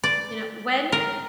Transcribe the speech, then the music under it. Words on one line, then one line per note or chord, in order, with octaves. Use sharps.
you know, when
D5
A#4